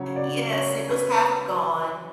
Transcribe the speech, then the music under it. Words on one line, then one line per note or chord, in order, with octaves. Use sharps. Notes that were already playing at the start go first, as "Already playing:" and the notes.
Yes. It was half gone.
Already playing: C#3 F#3 C#5
D5
C#5
B4